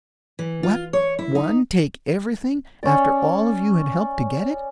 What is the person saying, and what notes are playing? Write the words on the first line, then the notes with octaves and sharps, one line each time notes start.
"What--one take everything, after all of you had helped to get it?"
E3
F4
C#5
E4
D#4
C#4 D5